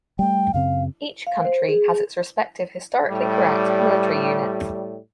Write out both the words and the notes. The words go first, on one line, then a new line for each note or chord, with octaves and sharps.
Each country has its respective historically correct military units.
G3 A3 G5
F#2 C#3 C4 F5
F5
C5
G#4
G#4
A2 G3